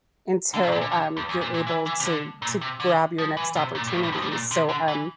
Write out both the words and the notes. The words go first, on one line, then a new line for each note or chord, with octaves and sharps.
until, um, you're able to to grab your next opportunity. So, um,
D3
C3
A#2
D3
D3
E2
E2
A#2
A#2
E3
E3
C3
D3
A#2
C3
D3
F3
E3
C3
A#2
G2
A2
G2
F2
G2
A#2
C3
D3
E3